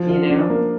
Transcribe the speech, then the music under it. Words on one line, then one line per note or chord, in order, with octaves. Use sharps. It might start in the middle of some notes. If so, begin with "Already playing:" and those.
You know?
Already playing: F3
F4
D4
A#3